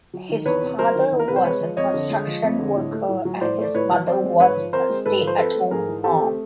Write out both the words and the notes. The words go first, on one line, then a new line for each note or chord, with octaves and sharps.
His father was a construction worker and his mother was a stay-at-home mom.
F#3
D#3
E2 B4 C#5
C3
F#3 A#4 C5
D#3
E2
A#4
C3 B4
C5
G#3 B4 C#5
F3
F2 C#5 D#5
D3
G#3
F3
F2
D3
A2
A3
A2
F#3
A2 C5 D5
A3
D5
A2 B4 C#5
F#3
C4 C5 D5
G#3
G#2 B4 C#5
F3
C4 A#4 C5
G#3
G#2 A4 B4
F3
C5
C4 A4 B4
A3
G#2 G#4 A#4
E3
C4 G4 A4
A3